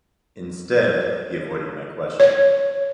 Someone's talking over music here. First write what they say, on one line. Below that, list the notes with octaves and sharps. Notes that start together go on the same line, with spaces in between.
Instead, he avoided my question.
C#5